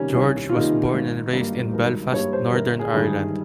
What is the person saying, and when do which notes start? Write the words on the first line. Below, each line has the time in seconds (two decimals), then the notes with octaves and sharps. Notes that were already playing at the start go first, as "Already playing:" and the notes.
George was born and raised in Belfast, Northern Ireland.
Already playing: C3 D#3 G3 A#3 C#4
0.14 C2 C#4
0.49 F4
0.54 C3 D#3 G3 A#3 D#4
0.94 G#1
1.33 G2 G3 A#3
1.73 G#1 A#4
2.13 G2 G3 A#3 C#5
2.33 C5
2.53 G1 A#4
2.79 G#4
2.93 G2 D#3 G#3
3.05 G#4